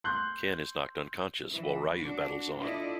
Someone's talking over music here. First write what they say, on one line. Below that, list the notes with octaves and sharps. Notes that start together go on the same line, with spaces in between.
Ken is knocked unconscious while Ryu battles on.
C6 F#6 G6
E3
D4 F#4
D4 E4 F4 A4 D5 D#5